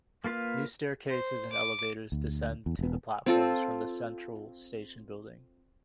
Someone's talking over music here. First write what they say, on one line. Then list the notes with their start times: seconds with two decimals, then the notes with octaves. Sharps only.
New staircases and elevators descend to the platforms from the central station building.
0.24 A#3 F4 B4 F5
1.09 C5
1.52 D6
2.12 D2
2.66 E2
2.79 E1 B3
3.26 C4 F4 A4